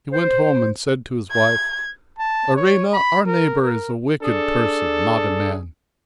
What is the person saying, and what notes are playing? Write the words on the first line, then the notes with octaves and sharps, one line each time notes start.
He went home and said to his wife: "Arina, our neighbour is a wicked person, not a man."
C5
G#6
A5
C#5
B5
A#4
A#4
D4 G#4 A4